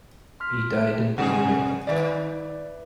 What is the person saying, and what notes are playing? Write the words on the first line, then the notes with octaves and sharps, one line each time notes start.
He died in Bologna.
C6 F6 B6
C3 G#4 F#5
D#3 B4 D5 E5